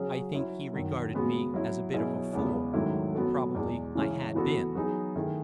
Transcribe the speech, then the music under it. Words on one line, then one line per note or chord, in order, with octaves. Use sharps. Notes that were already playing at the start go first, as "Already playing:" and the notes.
I think he regarded me as a bit of a fool. Probably I had been.
Already playing: C#3 F#3 C#4 G#4
F#3 C#4 E4
F#2 D#3 F#3
C#3 G#3 B3 F#4
F#3 C#4 E4
B2 F#3 C#4 E4 G#4
E2 C#3 G#3 B3
G#2 D#3 F#3 A3 E4
F#3 B3 F#4 A4
E2 B2 G#3
C#3 E3 G#3 C#4 E4
E3 B3 F#4 A4
F#3 B3 D#4 G#4
D#3 A3 E4 G#4